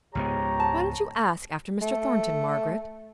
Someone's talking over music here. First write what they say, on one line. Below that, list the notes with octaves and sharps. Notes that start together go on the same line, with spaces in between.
Why don't you ask after Mr. Thornton, Margaret?
C#2 G#2 B3 G4 C#5 A#5
A5
A3